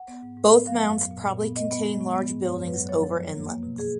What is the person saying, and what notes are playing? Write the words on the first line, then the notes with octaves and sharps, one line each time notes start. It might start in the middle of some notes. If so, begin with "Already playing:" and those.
Both mounds probably contain large buildings over in length.
Already playing: F#5
B3
G#2
G#2
B3
F#3 F5
F#2
F#3
A#2
A#2
B3
B3 D#5
B3
G#3
B3
B3
G#2
F#2 C#5
F#2
B4
F#3
F3 C#5
F3
F2
A#3
A#3
B2
G#4